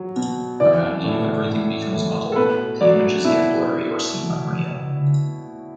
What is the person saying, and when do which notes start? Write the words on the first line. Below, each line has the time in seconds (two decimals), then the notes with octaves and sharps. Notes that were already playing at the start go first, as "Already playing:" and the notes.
Around you, everything becomes muddled, the images get blurry or seem unreal.
Already playing: F#3
0.16 B2
0.60 E3 D5
1.04 A2
1.48 A2
1.92 A2
2.32 A4
2.36 B2 B4
2.81 F#3 D5
3.25 B2 E4